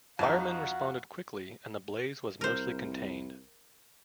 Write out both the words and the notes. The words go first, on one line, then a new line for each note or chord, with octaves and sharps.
Fireman responded quickly and the blaze was mostly contained.
F2 F#3 G#3 D#4 F#4 F5 F#5
C2 A#4 C5